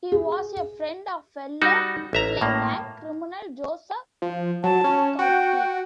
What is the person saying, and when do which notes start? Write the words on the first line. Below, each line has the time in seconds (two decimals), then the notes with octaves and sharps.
He was a friend of fellow Cleveland criminal Joseph Filkowski.
0.12 G#4
1.62 G3 D#4 F#4
2.13 A1 E5 A#5
2.41 A2 A#3
4.22 F3
4.64 F#3 A5
4.84 C#4
5.19 F#4 G5